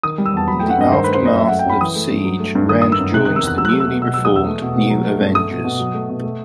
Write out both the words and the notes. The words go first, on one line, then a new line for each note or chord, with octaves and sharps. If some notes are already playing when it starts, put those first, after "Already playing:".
In the aftermath of "Siege", Rand joins the newly reformed New Avengers.
D#3 D#6
G3
E6
E2 A5
F#3 B5
A3 G5
F#5
G2 D#5
D#3 C5
A3 B4
C5
F#2 D#5
F#3 E5
A3 F#5
G5
F#2 B5
E3 D#6
A3
G2
F#3
A3
G2
D#3 D#6
A3 D#6
E6
F#2
C3 F#6
D#3 F#6
E6
E2 F#6
F#3 E6
F#6
E6
A3
E6
B2
B2 E6
F#3 E6
D#6
E2 E6
A3
B2
B2
F#3
A3
G2
A3 D#6
B2
B2
F#3
A3
B2
A3